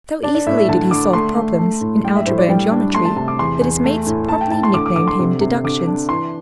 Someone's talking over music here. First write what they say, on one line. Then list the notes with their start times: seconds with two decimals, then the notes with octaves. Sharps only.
So easily did he solve problems in algebra and geometry, that his mates promptly nicknamed him "Deductions."
0.23 D4 D5
0.35 D5
0.47 A2 E5
0.57 E5
0.69 D3 A5
0.91 D3 D6
1.13 A3 C6
1.36 A3
1.59 A3
1.81 A2
2.04 G3 G5
2.16 E5
2.27 A2 C5
2.38 D5
2.49 G3 G5
2.72 D4
2.95 A3 C6
3.05 A5
3.16 C3 A5
3.28 D6
3.39 E2 C6
3.61 E2
3.84 A3
4.06 A2
4.28 A3 A5
4.41 G5
4.51 A2 A5
4.63 C6
4.74 D3 D6
4.86 D6
4.96 D3 D6
5.07 C6
5.19 C3
5.41 C3
5.64 D3 D6
5.87 D4
6.09 E3 C6